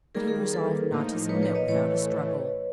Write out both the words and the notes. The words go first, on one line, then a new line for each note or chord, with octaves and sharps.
But he resolved not to submit without a struggle.
D#3 G3 A#3 G#4 A#4
G#4 A#4
A4 B4
A2 F3 A#3 D#4
B4 C#5
B4 C#5
C#5 D#5
A2 E3 A3 B4 C#5